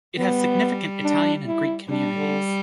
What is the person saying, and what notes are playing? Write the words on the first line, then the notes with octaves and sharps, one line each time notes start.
It has significant Italian and Greek communities.
G3 B3
D4
E4
G3 D4
D3